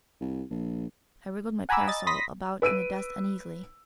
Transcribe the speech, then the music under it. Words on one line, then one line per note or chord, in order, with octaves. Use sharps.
I wriggled my parasol about in the dust uneasily.
C2
A#1
F#5 G#5 A#5 B5 D6 E6
D#5 A6
B5 C6 D#6 A#6 B6
B4 E6 D7 D#7